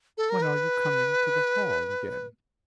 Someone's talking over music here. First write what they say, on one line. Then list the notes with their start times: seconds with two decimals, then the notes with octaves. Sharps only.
'When are you coming to the hall again?'
0.18 A4
0.30 A#4
0.42 B4